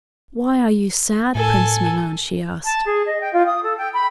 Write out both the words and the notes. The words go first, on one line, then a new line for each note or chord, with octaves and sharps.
"Why are you sad, Prince Milan?" she asked.
A2 A4 G#5
A5
G#4
D#5
G5
F4
D#6
A4
G5
B5